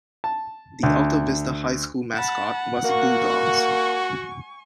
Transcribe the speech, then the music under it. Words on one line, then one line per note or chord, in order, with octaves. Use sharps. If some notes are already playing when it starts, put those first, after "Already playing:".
The Alta Vista High School mascot was Bulldogs.
A5
D2
F#5 A5 B5
A#3 F#4 G#5 C#6